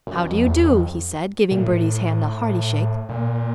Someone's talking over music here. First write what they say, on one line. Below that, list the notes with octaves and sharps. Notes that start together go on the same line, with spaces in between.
"How do you do?" he said, giving Bertie's hand a hearty shake.
F#2
F2
E2
E2
F2
A#2
A2
A#2